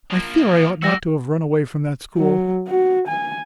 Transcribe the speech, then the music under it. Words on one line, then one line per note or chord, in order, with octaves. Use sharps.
I fear I ought not to have run away from that school!
F3 A#3
G3 F#4 G4 E6 A#6
F#3
F#4
G#5